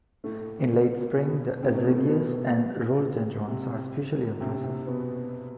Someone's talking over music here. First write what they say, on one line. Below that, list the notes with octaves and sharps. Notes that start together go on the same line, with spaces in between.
In late spring, the azaleas and rhododendrons are especially impressive.
A2 A3
B2 B3
C3 C4
B2 B3
A2 A3
B2 B3
B2 B3
C3 C4
C3 C4
C3 C4
C3 C4
B2 B3